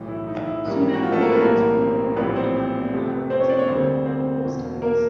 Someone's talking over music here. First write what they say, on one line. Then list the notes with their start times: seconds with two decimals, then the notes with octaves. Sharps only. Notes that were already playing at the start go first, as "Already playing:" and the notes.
Soon afterwards Bruner helped found the Harvard Center of Cognitive Studies.
Already playing: B1 A2 E3
0.08 E4
0.27 D#4
0.46 E4
0.65 G#1 G#2 E3 G3 A#3
0.94 F#4
1.03 F3 F4
1.12 A3 A4
1.21 A#3 A#4
1.32 B3 B4
1.41 B1 A2 E3 G3 A#3 A#4
2.16 A#1 A2 E3 G3 B3 B4
2.35 C4 C5
2.92 F2 C3 F3 A3
3.30 C4 C5
3.40 C#4 C#5
3.49 D4 D5
3.59 C#4 C#5
3.68 D2 D3 G3 C4 C5
4.06 C4 C5
4.44 E1 E2 B2
4.82 A#3 A#4